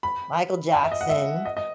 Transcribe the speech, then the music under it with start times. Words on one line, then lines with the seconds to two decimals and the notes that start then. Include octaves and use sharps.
Michael Jackson,
0.03 B5
0.74 G#5
0.83 E5
0.92 D#5
1.01 F#5
1.09 E5
1.45 D#5
1.57 D#5